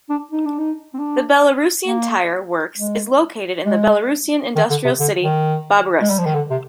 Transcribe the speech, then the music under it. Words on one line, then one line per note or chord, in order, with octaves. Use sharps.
The Belarusian tyre works is located in the Belarusian industrial city Babruysk.
D4
D#4
D4
D#4
C4
D4
A#3
G#3
G#3
D#3
D3
C3
D3
D#3
G#3
G3
F3
D#3
D3
C3